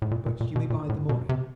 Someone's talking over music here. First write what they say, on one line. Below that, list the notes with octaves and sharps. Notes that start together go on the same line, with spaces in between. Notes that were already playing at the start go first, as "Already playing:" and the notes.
"But you may bide the morning?"
A2
A#2
A#2
A#2
B2
A#2
A2
B2
C3